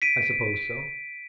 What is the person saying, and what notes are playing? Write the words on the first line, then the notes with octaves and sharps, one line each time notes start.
"I suppose so."
B6 D7 D#7